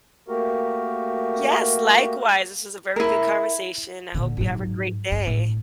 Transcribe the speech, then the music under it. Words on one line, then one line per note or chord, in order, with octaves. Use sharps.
Yes, likewise, this is a very good conversation, I hope you have a great day.
A3 A#3 F#4 G4 A#4
E4 A#4
A#2 D3
G#2 F#3
G2
A2